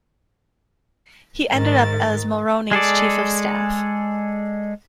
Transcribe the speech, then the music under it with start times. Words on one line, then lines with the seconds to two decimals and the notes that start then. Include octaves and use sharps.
He ended up as Mulroney's chief of staff.
1.50 G#2 D#3 A6
2.71 G#3 G#4 A4 D5